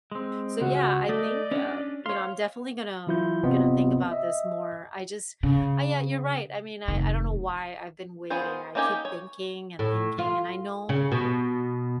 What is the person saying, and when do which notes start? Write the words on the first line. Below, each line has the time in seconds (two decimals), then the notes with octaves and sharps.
so, yeah, I think, um, you know, I'm definitely gonna gonna think about this more. I just I yeah, you're right, I mean, I I don't know why I've been waiting. I keep thinking and thinking and I know.
0.12 G#3 C4
0.61 C#2 F#4
1.09 A3 D5 D#5
1.51 C#4 D4
2.06 C#5 F5 C6
3.07 E3 F#3 E4 F4 G6
3.43 G1 C3 B3 C4 F4 D#5
4.11 D#5 E5
5.43 C#3
6.88 F1 D#3
8.30 B3 F4 G#4 A#4 C5
8.75 A#3 C#4 D#4 G4 G#5
9.05 C#5
9.79 A2
10.19 F4
10.89 C#3
11.12 B2